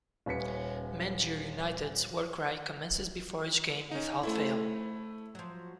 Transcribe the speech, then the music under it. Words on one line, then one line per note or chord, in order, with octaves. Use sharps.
Mangere United's war cry commences before each game without fail.
D#1 C#4 B4 B6 C#7
C#4 D#4
A3 E4 A4 C5 E5
F3 F#3